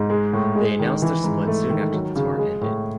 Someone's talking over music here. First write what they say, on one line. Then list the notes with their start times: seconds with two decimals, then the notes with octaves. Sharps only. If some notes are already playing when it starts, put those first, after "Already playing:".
They announced their split soon after the tour ended.
Already playing: G#2
0.10 G#3
0.33 A2
0.55 G#3
0.79 D#3
1.02 E3
1.24 G#2
1.47 A3
1.70 D#3
1.93 F#3
2.16 C#3
2.38 G#3
2.61 A2